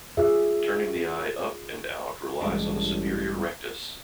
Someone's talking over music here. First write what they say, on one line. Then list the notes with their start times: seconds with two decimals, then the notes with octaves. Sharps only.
Turning the eye up and out relies on the superior rectus.
0.17 F4 G#4 E5
2.41 A1 G2 G#3 D4